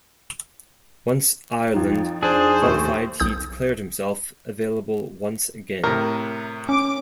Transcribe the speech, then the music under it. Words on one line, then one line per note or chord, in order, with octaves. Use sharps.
Once Ireland qualified he declared himself available once again.
F2 F3 D#4
D4 G#4 C5
D#2 A3 C#6
B1 D#6 G6
A2 C3 A#4
C#4 D6